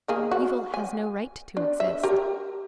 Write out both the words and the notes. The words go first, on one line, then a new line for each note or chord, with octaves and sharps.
Evil has no right to exist.
D#3 A#3 G#4
F#4
G#5
D4
E5
G4 A#4